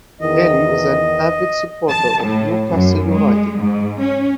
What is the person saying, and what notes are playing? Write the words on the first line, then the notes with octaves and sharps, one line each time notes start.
Healy is an avid supporter of Newcastle United.
E2 D#3 D#5
A5
A2
F#2
G#3
G#2
C#4